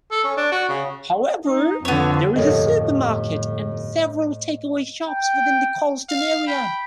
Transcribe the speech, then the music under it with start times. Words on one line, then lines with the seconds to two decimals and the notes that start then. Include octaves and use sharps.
However, there is a supermarket and several take-away shops within the Colston area.
0.12 A4
0.24 C#4
0.37 D4
0.52 F#4
0.69 C#3
1.45 D#4
1.85 F2 D3 B3 C#5
2.36 G1 F2 A2 A4 A#4 C#5 D#5
5.09 G5
6.09 F5
6.48 G5 B5